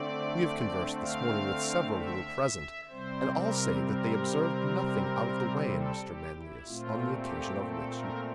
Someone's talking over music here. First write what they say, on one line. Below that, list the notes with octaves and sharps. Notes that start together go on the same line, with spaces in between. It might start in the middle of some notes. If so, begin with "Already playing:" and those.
We have conversed this morning with several who were present, and all say that they observed nothing out of the way in Mr. Manlius, on the occasion of which you speak.
Already playing: D3 A3 C4 D5
F5
E5
C3 G3 C4 C5
A#4
A#4
A4
G4
E4
A#2 A3 C4 F4
G4
A4
A#4